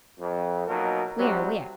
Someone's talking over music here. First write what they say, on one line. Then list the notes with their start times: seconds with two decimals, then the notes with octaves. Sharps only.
Where, where?
0.20 F2
0.68 B2 F#3 A#3 D#4 A#4
1.18 G#2 C3 F#3 G3